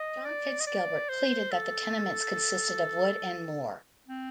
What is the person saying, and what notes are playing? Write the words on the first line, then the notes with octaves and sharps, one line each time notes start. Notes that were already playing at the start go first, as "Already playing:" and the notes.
John fitz Gilbert pleaded that the tenements consisted of wood and moor.
Already playing: D#5
D5
D#5
D5
C5
A4
C4